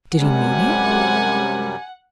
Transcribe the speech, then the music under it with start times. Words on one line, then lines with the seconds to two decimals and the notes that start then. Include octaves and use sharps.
"Did he mean it?"
0.17 F#2 C3 G3 G#3 F#5 G#5